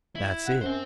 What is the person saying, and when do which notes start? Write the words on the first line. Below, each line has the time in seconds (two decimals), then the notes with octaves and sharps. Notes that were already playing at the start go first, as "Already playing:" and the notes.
Dat's it.
0.16 E4
0.45 F#5
0.61 F#2 C4 C5